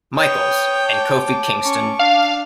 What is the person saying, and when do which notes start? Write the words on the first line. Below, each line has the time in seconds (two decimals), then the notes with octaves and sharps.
Michaels, and Kofi Kingston.
0.16 B4 C#5 G5 D#6
0.88 A5 D6
1.62 C#4 C#6
1.99 D4 F5